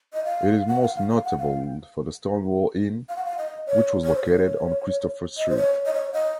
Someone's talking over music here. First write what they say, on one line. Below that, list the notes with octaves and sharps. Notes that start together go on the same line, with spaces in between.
It is most notable for the Stonewall Inn, which was located on Christopher Street.
D#5
F5
F#5
F5
F5
F5
F#5
F5
F5
F#5
F5
D#5
C#5
C#5
C5
C#5
D#5
C5
C#5
D#5
C#5
D#5